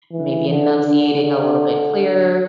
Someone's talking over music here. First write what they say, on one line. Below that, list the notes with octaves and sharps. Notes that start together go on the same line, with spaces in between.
maybe enunciating a little bit clearer,
E3
D3
D3
D3